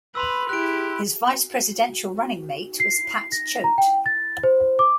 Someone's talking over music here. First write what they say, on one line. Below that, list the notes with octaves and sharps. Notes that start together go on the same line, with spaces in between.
His vice presidential running mate was Pat Choate.
B4 B5 C6 E6
E4 G4 F#6 D7
C7
A#6
A#5
G5
A6
C5
D6